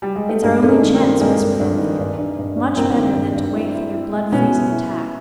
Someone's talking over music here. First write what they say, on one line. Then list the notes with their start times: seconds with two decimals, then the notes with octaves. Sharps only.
'It's our only chance,' whispered Anthea. 'Much better than to wait for their blood-freezing attack.
0.02 G3
0.16 G#3
0.29 A3
0.42 G2 G#3 A#3
0.62 G2 A3
0.69 G#3 A#3
0.82 D#3
0.95 A#3 C4
1.02 G2
1.20 G2 G#3 A#3
1.40 G2
1.60 G2
1.79 D#3
1.99 G2
2.19 G2
2.38 G2
2.57 G2
2.77 G2 A#3 C4
2.96 D#3
3.16 G2
3.35 G2
3.55 E4
3.74 E4
3.94 E4
4.13 G#3
4.32 B2 B3 C#4
4.52 E4
4.71 E4
4.91 E4